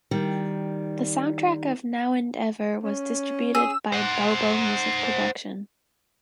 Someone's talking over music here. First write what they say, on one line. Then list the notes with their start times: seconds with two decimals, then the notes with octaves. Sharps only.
The soundtrack of "Now and Ever" was distributed by Bo Bo Music Production.
0.11 D#3 G3
2.84 C#4
3.55 G#4 E6
3.93 C5 F#5